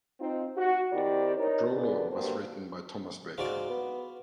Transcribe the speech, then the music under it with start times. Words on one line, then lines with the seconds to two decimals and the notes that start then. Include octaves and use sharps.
The prologue was written by Thomas Baker.
0.20 C4 D#4 F4
0.57 F#4
0.93 D#3 C4 E4 G4 C5 D5
1.37 D#4 A#4 C#5
1.72 A#2 D3 G#4 A4 B4 D5
2.11 G2 A#3 F#4 C5
3.38 G#2 F4 F#4 D5
3.70 B3